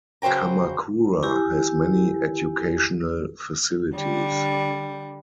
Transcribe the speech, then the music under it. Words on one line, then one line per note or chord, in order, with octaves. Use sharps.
Kamakura has many educational facilities.
C#3 F#3 C5 G5 A#5
E4 G4 G#5
D3 G3